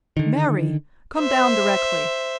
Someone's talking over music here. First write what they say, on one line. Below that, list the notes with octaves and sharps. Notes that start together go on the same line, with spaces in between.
"Mary! come down directly."
D3 D#3
C5 E5